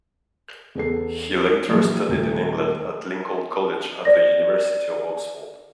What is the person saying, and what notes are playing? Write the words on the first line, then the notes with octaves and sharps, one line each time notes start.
He later studied in England at Lincoln College at the University of Oxford.
E2 B3 A4 C7
A#1 E3 F#3
D#1 D2 A3
C5 D5 A#6